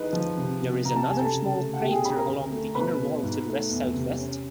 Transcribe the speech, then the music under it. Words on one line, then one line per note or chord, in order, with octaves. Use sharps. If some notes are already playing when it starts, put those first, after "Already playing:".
There is another small crater along the inner wall to the west-southwest.
Already playing: E3 G#3 D#4 B4
F3
C3
C3
C3 A#5
A5
C3 G#5
A4 A5
C#3
A3
F#5
B2 G4 G5
G#4 G#5
C#4 B5
A#4 A#5
D2
A3
B2 B4 B5
B2
G#2
A3
E2
C3
C#4